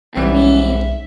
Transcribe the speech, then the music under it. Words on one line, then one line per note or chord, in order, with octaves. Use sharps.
I mean,
B1 G#2 E3 G3 B3 E5